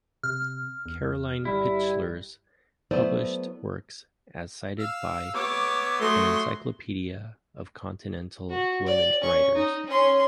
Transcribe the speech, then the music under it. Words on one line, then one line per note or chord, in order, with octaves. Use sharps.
Karoline Pichler's published works as cited by "An Encyclopedia of Continental Women Writers".
C3 F6
E2
G1 G3 E4
F#3 A3 B3 E4 C5 D5
F5 E6
B3 C#5 E5 D6
F#3 A3 C6 D#6
F#4
D5
C#4 C#6
D#4
C#4 C6